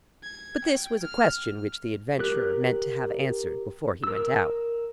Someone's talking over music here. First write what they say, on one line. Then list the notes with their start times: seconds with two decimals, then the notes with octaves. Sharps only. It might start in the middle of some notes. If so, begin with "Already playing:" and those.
But this was a question which the adventurer meant to have answered before he went out....
0.23 G#6
0.64 G5
1.03 F6
2.19 G4 A#4 F#6
4.04 A#4 E6